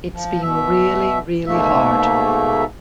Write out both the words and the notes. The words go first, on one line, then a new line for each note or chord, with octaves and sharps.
It's been really, really hard.
F3
B2 E5
G#2 B2 A3 A#3 E5